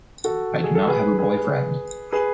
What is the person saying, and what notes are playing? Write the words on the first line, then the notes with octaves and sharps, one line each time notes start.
I do not have a boyfriend.
F#4 A4
G#4
A4
G#4 B4
G#4 B4
G#4 B4